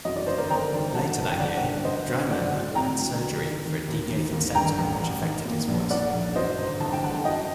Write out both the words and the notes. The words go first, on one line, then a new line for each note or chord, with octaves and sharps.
Later that year, Draiman underwent surgery for a deviated septum which affected his voice.
F#2 D#5
D5
G1 C5
A#4 D5
G1 G5 A#5
D#3
F#2 F#5 A5
G1
G5
G1 D5 F#5
D3
D3 C5 D#5
D2
D3 D5 F#5
D2
C3 G5 A#5
D2
D2
D#3
D#3
D#2
D#3
D#2
G2 G5 A#5
A1
A1
D#3
A#2
A#1
A#2 D5 F#5
A#1
F#2 C5 D#5
G1
G1 A5
G5
D3 F#5 A5
F#2 D#5 G5